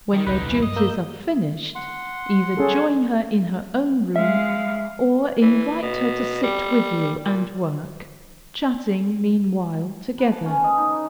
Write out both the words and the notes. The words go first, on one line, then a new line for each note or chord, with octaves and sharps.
When your duties are finished, either join her in her own room, or invite her to sit with you, and work, chatting, meanwhile, together.
D#3 F3
D#1 C2 D3 C#4 D#4 B4
A#2 E3
G2 F#3 A3 D#5
A#3 E6 G6
F#5 C6
C#4 G#4 A4
G#3 E5 F5
E3
B2
G3
A#2
B4
A5
C#4
D#5
D#4
C#5